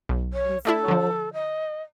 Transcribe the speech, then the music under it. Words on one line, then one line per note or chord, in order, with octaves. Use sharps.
and so
B1
C#5
A3 D4 E4 A4
D3 F3
D#5